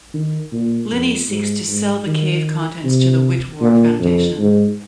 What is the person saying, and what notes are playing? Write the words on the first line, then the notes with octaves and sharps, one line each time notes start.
Lini seeks to sell the cave contents to the Wittwar Foundation.
D#3
A#2
F2
G#2
G#2
D#3
C3
A#2
F2
G#2